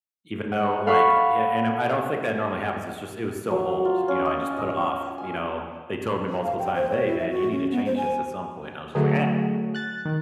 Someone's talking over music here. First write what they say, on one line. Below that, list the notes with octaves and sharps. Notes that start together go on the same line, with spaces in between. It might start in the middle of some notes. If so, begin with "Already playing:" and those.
even though, like yeah, and I I don't think that normally happens, it's just, it was so old, you know, I just put it off, you know they told me multiple times, "Hey man, you need to change this at some point," and I was just like,
F#5
A4 F5 F#5 B5 C#6
F#3
F4
C#4
D#5
D#5
G#5
F5
G5
C5
C#5
E4
E5
F#4
C#4
B3
C5
G#5
D3 F#3 A3 G#4
F#6 A6
D#3